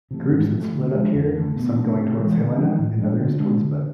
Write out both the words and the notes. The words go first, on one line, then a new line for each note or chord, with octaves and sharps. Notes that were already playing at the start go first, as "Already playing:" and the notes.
Groups would split up here, with some going towards Helena, others towards Butte.
C3 E3 A3
G#2
F3 A3
D3
F3 G#3 D4
F2
D3 A3
B2
A3 D4
C3
E3 G#3
D3
F3 G#3 D4
A2
F3 G#3 D4
D3
G#3 D4
D3